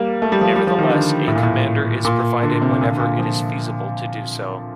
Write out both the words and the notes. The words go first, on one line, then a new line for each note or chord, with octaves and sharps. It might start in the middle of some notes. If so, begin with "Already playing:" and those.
Nevertheless, a commander is provided whenever it is feasible to do so.
Already playing: G3 A#3
A3
G3
F3
G3
F3
D#3
D3
A2
A#2
A2
A#2
D3
C3
A#2
D3
A#2
F3